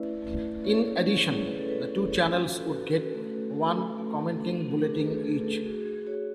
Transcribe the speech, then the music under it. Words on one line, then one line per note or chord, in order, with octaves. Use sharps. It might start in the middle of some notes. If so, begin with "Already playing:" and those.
In addition, the two channels would get one "commenting bulletin" each.
Already playing: A3 C#4 E4 B4 D5 E5
A3
C#4 C#5
C#5
C#4 C#5
G#4
C#4 B4
A4
B4
C#4 B4
C#5
F#4
A4
B4
F#4
A4
A3 A4
A3
A3
D4
D4 G#4
B4
A4
A3 A4
A4
F#4 G#4
G#4
F#4 C#5